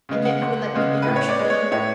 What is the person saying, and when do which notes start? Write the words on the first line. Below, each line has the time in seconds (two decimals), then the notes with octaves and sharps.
"And yet you will let me perish with hunger?"
0.09 C#3 G#3 B3
0.25 F#5
0.42 C#2
0.74 C#3 G#3 B3
1.02 A2 B4
1.16 C#5
1.29 D5
1.39 G#3 B3
1.50 C#5
1.71 A2 C#5